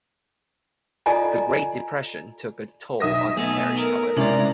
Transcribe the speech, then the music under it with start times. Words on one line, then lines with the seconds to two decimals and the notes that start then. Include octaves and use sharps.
The Great Depression took a toll on the parish, however.
1.06 F4 A4 D5 D#5 G#5 A#5
3.00 B1 E5 D#6 A#6
3.37 A3 B3 G#5
3.76 A#4
4.17 C3 G#3 C#4 E4 D5 A#5 F#7